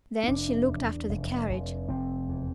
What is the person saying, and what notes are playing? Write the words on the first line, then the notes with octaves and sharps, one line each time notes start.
Then she looked after the carriage.
C4
F1 D4
E2
F1
F1
F1 C4
E2